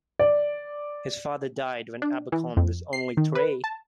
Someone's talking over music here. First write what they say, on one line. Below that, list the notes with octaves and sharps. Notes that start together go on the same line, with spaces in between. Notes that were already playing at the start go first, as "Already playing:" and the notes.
His father died when Abercorn was only three.
D5
D4
E3
F2
C7
D#3
B4
A5